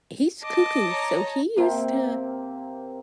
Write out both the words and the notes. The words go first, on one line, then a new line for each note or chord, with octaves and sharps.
He's cuckoo. So he used to
D#5 A5 D6
C#5 A#5
C3 A#3 C4